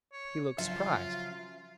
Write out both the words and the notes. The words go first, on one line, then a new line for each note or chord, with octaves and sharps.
He looked surprised.
C#5
C#3 F3 F#3 F4 E5